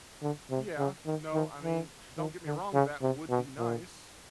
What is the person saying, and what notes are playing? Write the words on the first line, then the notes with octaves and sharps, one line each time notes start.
Yeah, no, I mean, don't get me wrong, that would be nice,
D3
C3
C#3
D#3
D#3
E3
D#3
D3
C#3
C3
B2
A#2